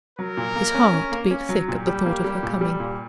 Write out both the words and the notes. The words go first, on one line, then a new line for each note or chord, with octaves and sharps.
His heart beat thick at the thought of her coming.
F#3 A#4
A#2
A#3
C#4
C#4
A#3
C#4
F#3
A#2 G4
G3
A#3
G3
A#2
G3
A#2